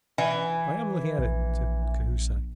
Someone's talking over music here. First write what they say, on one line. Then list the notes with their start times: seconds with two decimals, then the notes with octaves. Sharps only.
"I am looking at it," said Cahusac.
0.18 E3
1.19 A#1